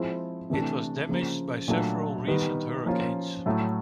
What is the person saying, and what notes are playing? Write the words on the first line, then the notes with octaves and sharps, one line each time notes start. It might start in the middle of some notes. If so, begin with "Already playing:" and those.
It was damaged by several recent hurricanes.
Already playing: F3 G#3 C4 E4
C3 E3 A3 D4
C#3 F3 A#3
A#2 F#3 A3 D4
D#3 G3 B3
F3 A#3 C#4 F4
A2 F#3 A3